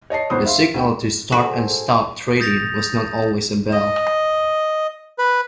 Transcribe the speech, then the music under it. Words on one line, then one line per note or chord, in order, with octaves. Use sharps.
The signal to start and stop trading was not always a bell.
C#5 D#5 A5 C7
G#1 F2 B3 C5 D#6
E5 F5 C6
D2 G5
F#4 G#4 A4 C5
D#6 G6 A6 A#6 C#7 F7
D#5
B4